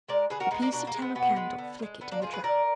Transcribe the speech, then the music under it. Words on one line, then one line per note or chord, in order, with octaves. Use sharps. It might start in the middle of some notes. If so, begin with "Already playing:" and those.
The piece of tallow-candle flickered in the draught.
G#3 A#4 D5
D3 G#4 B4
F#4 A#4
G#3 B3 D#4
A#3 D4
B2 A#3 D4
A#3
G#3
B3
B2 B3
G#3
D3
F3
G#3
D3 B3
A#3 D4
F3 F4 G#4
G#3
G#4 B4
D3 A#4 D5